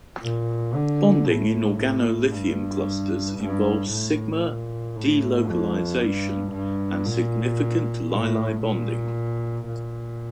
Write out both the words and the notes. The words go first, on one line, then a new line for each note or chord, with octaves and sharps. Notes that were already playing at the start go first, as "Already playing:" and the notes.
Bonding in organolithium clusters involves sigma delocalization and significant Li-Li bonding.
A#2
D3
A2
A2
G2
G2
A2
A#2
A2
F2
G2
G2
A#2
A2
A#2
A#2